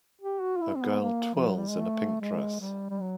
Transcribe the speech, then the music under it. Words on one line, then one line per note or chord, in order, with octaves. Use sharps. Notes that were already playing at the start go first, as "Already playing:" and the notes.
A girl twirls in a pink dress.
G4
F#4
F4
E4
C4
B3
A#3
F3
F#3
G3
G#3
A3
G#3
G3
G3
F#3